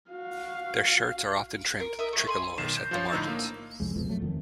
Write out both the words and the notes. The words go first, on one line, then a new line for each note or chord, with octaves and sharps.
Their shirts are often trimmed with "tricolores" at the margins.
F#4 F5
A#4
A#4 D#5 E5
A3 E5
G#5 B5 C6
B1 D#3 C7 E7
G6
F3 F4 C#5
A2 D3 D#4 E6
A#3
C2 F2 G#3
C2 F2 B2 F3
F#3 A3
F2 D#3